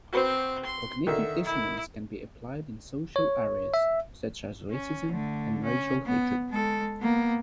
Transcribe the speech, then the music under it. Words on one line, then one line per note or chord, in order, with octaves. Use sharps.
Cognitive dissonance can be applied in social areas such as racism and racial hatred.
C4 F#4 B4 C5
C6
D3 D#3 E5
E4
C#5
E5
C#4
D3 A3
C#4
B3
G#3 A4
A#3 B3